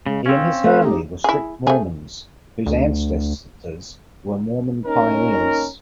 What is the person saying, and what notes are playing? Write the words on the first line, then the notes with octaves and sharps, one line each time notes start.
He and his family were strict Mormons, whose ancestors were Mormon pioneers.
C#3 G#3
C4 C#4 F5
A3 B4
D#4 G4
E4 G#4
A3 G#4
D2
A#3 C#4 D#4 A#4